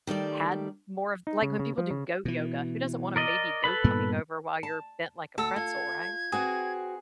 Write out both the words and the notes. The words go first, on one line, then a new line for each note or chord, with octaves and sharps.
had more of like, when people do goat yoga, who doesn't want a baby goat coming over while you're bent like a pretzel. Right.
D#3 G3 A3 D5
D#4
C#3
C#3
F3
C#3
B2 E3
A#4 D5 D#5
A4 B4 B5
G2 A#2 B3
A5
D2 A4 E6
F4 G#6
C4 F#4 G#4 B4